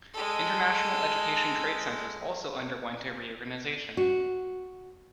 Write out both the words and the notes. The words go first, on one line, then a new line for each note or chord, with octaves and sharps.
International education trade centers also underwent a reorganization.
G#3 A4
F#4